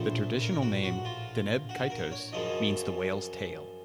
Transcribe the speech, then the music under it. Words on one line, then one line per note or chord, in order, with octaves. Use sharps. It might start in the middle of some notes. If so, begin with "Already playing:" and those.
The traditional name "Deneb Kaitos" means "the whale's tail".
Already playing: A#1 A2 F3 C5
A#4
F#4
F#4
F4
F#4
A#4
C#5
F#2 C#3 F3 D#5